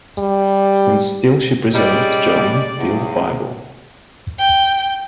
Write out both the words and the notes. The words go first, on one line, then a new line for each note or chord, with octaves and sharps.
And still she preserved John Field’s Bible.
G3
G3 G#3 C#4 D5
E2 C#3
G5